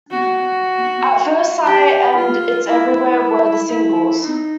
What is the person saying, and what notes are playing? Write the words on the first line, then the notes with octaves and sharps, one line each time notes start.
"At First Sight" and "It's Everywhere" were the singles.
F#4
G4
F4
E4
E4
D#4